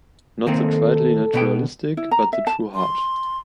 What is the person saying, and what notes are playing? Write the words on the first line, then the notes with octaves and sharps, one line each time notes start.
Not the tritely naturalistic, but the true heart.
D#3 A#3 C4 A4
B2 B3 G5
E4
A#5
E5
A5
C6